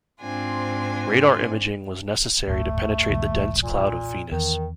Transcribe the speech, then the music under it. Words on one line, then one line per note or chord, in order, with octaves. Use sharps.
Radar imaging was necessary to penetrate the dense cloud of Venus.
G#2 C4 D4 F4 G#5
D1 G1 A3
B1 E2 G#2
A#2
E2 D#3